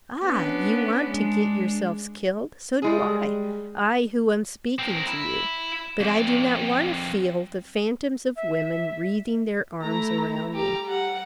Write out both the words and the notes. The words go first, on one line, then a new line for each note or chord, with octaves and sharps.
Ah! you want to get yourselves killed, so do I--I, who am speaking to you; but I do not want to feel the phantoms of women wreathing their arms around me.
B3 C#4 D4
G#3 D4
G3 G#3 G#4
C4 A#4
E4
F2 D5
E5
A3 E4 A#5
G3 G4 A#5
F#5